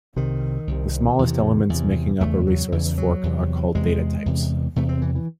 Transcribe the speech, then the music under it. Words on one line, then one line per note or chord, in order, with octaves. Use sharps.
The smallest elements making up a resource fork are called data types.
C2 C3 D#3
C2 C3
E2 C3
E2 C3
E2 C#3 A3
F#3
E2 C#3 E3
E3
F#3
E2 C3
E2 C3 G#3
E2 C3
E2 C3 A3
C4
E3
E3